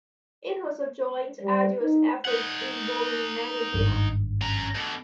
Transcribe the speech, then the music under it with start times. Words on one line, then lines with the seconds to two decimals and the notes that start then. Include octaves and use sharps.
It was a joint, arduous effort involving many people.
1.43 G3
1.83 D#4
2.25 D#4 F#5
3.74 G#1 G2
4.41 C#4 A#5
4.75 B2 D3